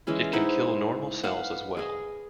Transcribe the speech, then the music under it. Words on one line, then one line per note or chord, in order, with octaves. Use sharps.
It can kill normal cells as well.
E3 G#3 C#4 E4
D#4 E4 C5 F#5
B4 F5 F#5
G#4 D#5